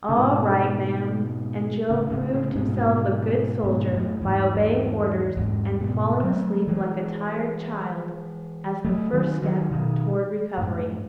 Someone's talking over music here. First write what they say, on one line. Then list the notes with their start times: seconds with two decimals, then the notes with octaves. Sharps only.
"All right, ma'am;" and Joe proved himself a good soldier by obeying orders, and falling asleep like a tired child, as the first step toward recovery.
0.09 C#3
0.16 G#2 B2
1.90 A2 C#3
2.11 A2 C#3
2.33 A2 C#3
2.55 G#2 B2
2.77 G#2 B2
3.63 G#2 B2
3.92 F#2 A2
4.21 E2 G#2
5.37 E2 G#2
5.81 G#2 B2
6.23 F#3 A3
6.67 E3 G#3
8.84 F#3 A3
9.13 D#3 F#3
9.42 D#3 F#3
9.71 B2 D#3
10.58 F#2 A2